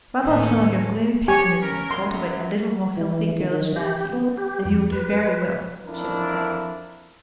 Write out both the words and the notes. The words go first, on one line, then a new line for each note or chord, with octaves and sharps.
"Rub off some of your gloomy pessimism and cultivate a little more healthy girlish vanity, and you will do very well," she would say.
D#2 A2 D#3 E3 A3 C#4
G4 C#5 G#5
C#4 A#4
F#2 F#3 C6
E3
D#3
G4
B3
G4
F2
B4
F2 D4 E4 A#4